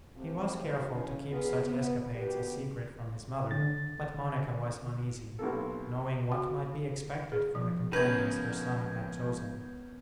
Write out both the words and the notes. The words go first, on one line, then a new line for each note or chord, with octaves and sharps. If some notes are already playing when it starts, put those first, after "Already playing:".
He was careful to keep such escapades a secret from his mother, but Monica was uneasy, knowing what might be expected from the companions her son had chosen.
C3 F3 A3 C4
C#3 F#3 D#4 C5
F2 C#3 E3 C#4
A#2 F#3 B3 F4 G#4
B3
D2 B2 B3 G4
D3 A6
B1 C3 A#3 A4
F#4
G#4
F3
C#2 F3 B3 C#4 A#4 B4 G6 G#6